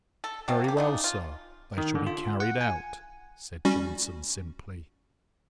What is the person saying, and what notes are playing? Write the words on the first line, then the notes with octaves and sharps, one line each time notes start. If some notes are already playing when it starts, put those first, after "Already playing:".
"Very well, sir, they shall be carried out," said Johnson simply.
A4
F#3 A3 C4 F4
A#3 G4
C#3 D4 D#4
F4
D#3
D3
F4
F#5
G#5
G3 C#4 F#4